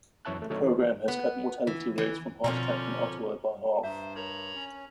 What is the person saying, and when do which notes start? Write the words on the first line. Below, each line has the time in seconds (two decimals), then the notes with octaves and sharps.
The program has cut mortality rates from heart attack in Ottawa by half.
0.25 F#2 E3 C#5 E5 A5 F#6
0.38 E2 A3
0.50 D3 F#3 A3 D#4 A4 C#5
0.63 E3
1.08 B3
1.67 E3
1.98 E3
2.44 B2 D3 F3 C4 C#4 A#4
3.83 G2 C5 E5 A#5
4.16 A#4 C#5 A#5 B5
4.55 C#4